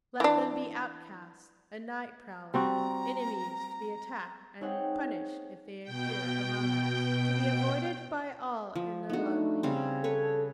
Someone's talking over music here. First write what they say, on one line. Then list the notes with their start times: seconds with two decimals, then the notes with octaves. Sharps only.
Let them be outcasts and night-prowlers, enemies to be attacked and punished if they appear among us, to be avoided by all in their loneliness.
0.20 E3 D4
2.54 G3 C4 F#4 A#5
4.61 C4 D#4 G#4 C#5 F#5 G5
5.82 B2 G5
8.76 F3
9.10 A3 B3 D4 D#4 F#4
9.63 C#3 G3 C4
10.04 A4 B4 C#5